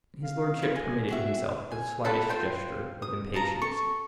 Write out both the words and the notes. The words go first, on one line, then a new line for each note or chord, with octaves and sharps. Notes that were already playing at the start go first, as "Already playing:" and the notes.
His lordship permitted himself the slightest gesture of impatience.
F5
C3 G3 B3
G#3 G#5
C4 D4 F#4 E5
G#5
E4 A4 F#5 A5
F4 C5 G5
D#6
F4 A5 A#5
A4 C#6